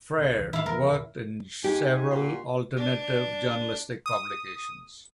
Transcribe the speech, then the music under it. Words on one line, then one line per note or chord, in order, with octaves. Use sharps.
Freire worked in several alternative journalistic publications.
B1 D3 B3
E1 C#2
A2 D#3 F#3 E4 F5
E2 F3 B3 A#4
D#1
G#2 G4 G#5
A#2 F#4 C6
D4
D#6